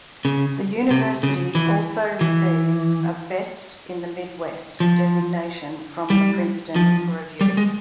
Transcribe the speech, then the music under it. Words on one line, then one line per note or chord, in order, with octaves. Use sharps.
The university also received a 'Best in the Midwest' designation from the Princeton Review.
C#3
C3
C#3
E3
E3
F3
G3
F3
G3
G#3